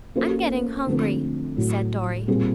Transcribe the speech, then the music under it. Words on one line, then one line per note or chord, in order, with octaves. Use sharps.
"I'm getting hungry," said Dorry.
A#3 C#4 F4 A4 C5
D3 F3 A3 C4
A2 F#3 A3
A#2 G3 C4 F4 G#4